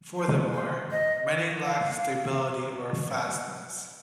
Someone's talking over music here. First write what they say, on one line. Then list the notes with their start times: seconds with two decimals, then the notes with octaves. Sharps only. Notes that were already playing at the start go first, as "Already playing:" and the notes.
Furthermore, many lacked stability, or fastness.
0.16 C5
0.53 C5
0.91 D#5
1.65 F5